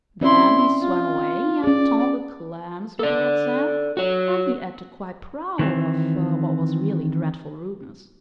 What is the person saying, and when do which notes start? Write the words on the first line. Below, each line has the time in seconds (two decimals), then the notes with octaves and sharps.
Then he swam away and told the Clams what he had said, and he acted quite proud of what was really dreadful rudeness.
0.21 C4 C#4 E4 D5 C6
0.81 F4
1.64 C#4 G#4 D5
2.99 A4 D5
3.97 F#4 C#5
5.59 D#3 E3 C4